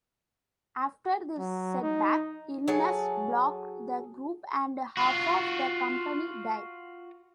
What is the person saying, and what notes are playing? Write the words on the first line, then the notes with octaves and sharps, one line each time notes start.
After this setback, illness plagued the group and half of the company died.
F#3
D#4
F#3 G#4 A4
F4 F#4